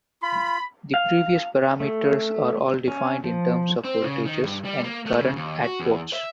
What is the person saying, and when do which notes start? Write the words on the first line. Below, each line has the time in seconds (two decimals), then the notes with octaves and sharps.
The previous parameters are all defined in terms of voltages and currents at ports.
0.22 F4 B5
0.94 F5
1.80 A3
2.88 C#4
3.24 F3
3.84 C4
4.04 C#3
4.26 D#3
4.44 G2
4.65 G3
4.84 A#3
5.06 A3
5.21 C#3
5.36 D#2
5.63 F#4
5.80 E2
6.13 E5